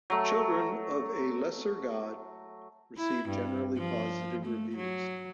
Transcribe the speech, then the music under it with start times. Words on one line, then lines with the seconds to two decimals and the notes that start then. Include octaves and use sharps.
"Children of a Lesser God" received generally positive reviews.
0.10 F#3 A3
2.98 E4
3.29 G2
3.77 F3
4.45 A3
4.76 F#3